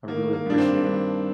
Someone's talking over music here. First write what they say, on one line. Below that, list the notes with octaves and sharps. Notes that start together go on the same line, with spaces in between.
I really appreciate it.
D#3 A#3
A#3
G2 D4
C4
G2